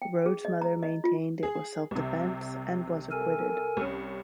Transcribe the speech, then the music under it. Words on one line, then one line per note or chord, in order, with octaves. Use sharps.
Rhodes mother maintained it was self-defense, and was acquitted.
G5
G#4
D#5
A#5
D#5
F4
G#4
C2 C3
A4 A#4 G#5
C2 C#4